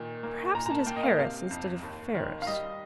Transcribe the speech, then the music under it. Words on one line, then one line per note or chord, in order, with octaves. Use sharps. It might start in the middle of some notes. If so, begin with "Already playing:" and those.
"Perhaps it is Harris instead of Ferris."
Already playing: A#2 D#3
A#3
A#2 A#5
A#5
A5
A#3 G5
D#5
F5
C3 F5
F2
D#2
D#3
F5
G3 D#5